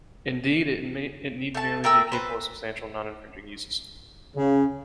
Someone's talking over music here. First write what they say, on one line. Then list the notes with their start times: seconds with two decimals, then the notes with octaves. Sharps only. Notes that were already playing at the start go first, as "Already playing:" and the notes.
Indeed, it need merely be capable of substantial noninfringing uses.
1.54 A3 A5
1.84 A3 A#4 G5 E6
2.12 B4 C5
4.36 C#3